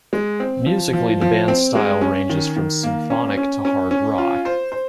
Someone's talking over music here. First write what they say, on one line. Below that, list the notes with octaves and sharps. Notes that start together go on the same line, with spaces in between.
Musically the band's style ranges from symphonic to hard rock.
G#3
C4
F3
F3
F3
C4
G#3
C#4
D#3
D#3
A#3
C#4
C#4
C#4
C#4
F4
C5
C5